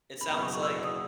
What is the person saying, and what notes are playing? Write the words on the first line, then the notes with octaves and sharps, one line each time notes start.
it sounds, like,
F#1 E2 B2 B5
C#6
E6
D#6